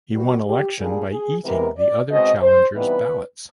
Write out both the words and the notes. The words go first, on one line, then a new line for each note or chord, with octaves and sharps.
He won election by eating the other challengers' ballots.
A#2 G3 B3 F#4
G4
A#2 G3 A#3 D4 G#4
G#4
C3 E3 G#3 B3 A#4
D5
B2 G#3 C4 D#5
C5
C3 E3 G3 B3 D#4 B4